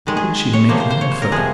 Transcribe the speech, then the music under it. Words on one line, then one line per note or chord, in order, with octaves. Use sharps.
How did she make me offer?
D#3 G#3
G#4
C#5
C3 F3 A#3 C5
C5
C5
C#5
C5
A#4
C3 F3 G#3 G#4